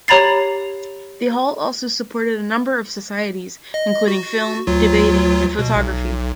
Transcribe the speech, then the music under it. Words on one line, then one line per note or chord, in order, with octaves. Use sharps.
The hall also supported a number of societies including film, debating and photography.
G4 C#5 A#5 B5 A6 C7
D#5
F#4
D2 F#3 F4
B2
B1